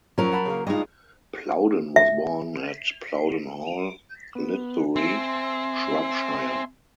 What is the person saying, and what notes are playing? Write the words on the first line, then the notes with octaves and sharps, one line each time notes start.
Plowden was born at Plowden Hall, Lydbury, Shropshire.
F#2 F3 F#3 C#4 A#4
F#5 A5 B5
C#3 A#3
G2 G#3 D#4 F4 D#5
E5
B3
C4 E5 G#5 C6